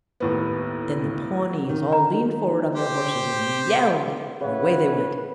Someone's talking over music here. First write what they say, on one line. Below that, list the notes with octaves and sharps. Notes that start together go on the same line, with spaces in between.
Then the Pawnees all leaned forward on their horses and yelled, and away they went.
D#2 A2 B3
D#3
A#5
G4 C5 G5
C#3 B4 C#5 E5 F#5